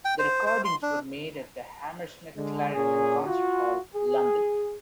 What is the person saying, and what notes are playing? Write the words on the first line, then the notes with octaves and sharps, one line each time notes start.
The recordings were made at the Hammersmith Clarendon concert hall, London.
G5
C5
C5
C6
D4
D3 G#3
A#2 C#4 G#4
F4 F#4
G#4